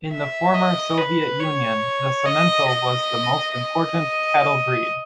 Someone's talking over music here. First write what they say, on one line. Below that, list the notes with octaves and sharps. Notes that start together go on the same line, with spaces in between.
In the former Soviet Union, the Simmental was the most important cattle breed.
E5
D#5
B4
C#5
D#5
D#5
D#5